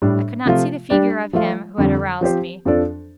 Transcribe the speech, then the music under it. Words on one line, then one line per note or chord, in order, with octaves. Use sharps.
I could not see the figure of him who had aroused me.
A2 G3 D4
C3 F3 A3 F4
G3 D4 G4 D5
F3 A3 F4
F2 D3 G3
F3 C4 G4 C5
F2 F3 D4 A4 D5